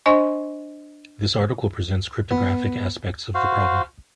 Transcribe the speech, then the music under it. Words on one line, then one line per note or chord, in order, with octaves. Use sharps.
This article presents cryptographic aspects of the problem.
D4 C5 D#5 G#5 C6 C#6
B3
F#4 C5 F5